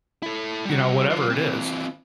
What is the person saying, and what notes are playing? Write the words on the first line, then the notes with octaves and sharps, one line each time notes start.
you know, whatever it is.
E4 A4
G3 F#4
F#3 F4
E3 C4